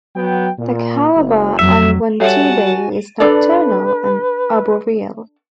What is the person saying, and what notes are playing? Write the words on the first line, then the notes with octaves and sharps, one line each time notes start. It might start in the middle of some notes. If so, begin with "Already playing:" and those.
The Calabar angwantibo is nocturnal and arboreal.
F#3 B3 G5
A#2
F#1
F2 F#3 E5
G3 F#4 A4 C#5 E5 F#5 G#5 A5
D4 A4 B4 D5